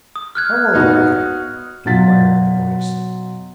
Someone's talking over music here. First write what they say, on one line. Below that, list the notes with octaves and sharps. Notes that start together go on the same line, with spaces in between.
'How old are yer?' inquired the voice.
D#6
F6 F#6 G#6
B3 D#4 F#4
B2 F#3 F4 A6 B6